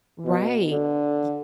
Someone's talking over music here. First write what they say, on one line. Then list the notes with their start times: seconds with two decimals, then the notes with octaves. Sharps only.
Right. Ye
0.26 B2
0.72 D3